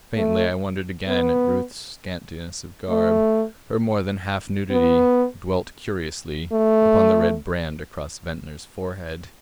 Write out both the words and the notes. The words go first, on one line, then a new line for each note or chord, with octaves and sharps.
Faintly I wondered again at Ruth's scantiness of garb, her more than half nudity; dwelt curiously upon the red brand across Ventnor's forehead.
A3
B3
A3
B3
A3